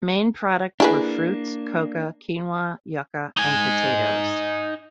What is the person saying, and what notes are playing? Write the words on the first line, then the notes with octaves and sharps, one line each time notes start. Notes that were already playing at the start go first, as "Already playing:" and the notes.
Main products were fruits, coca, quinoa, yuca and potatoes.
A#3 D4 E4 G#4 B4
D#4 G#5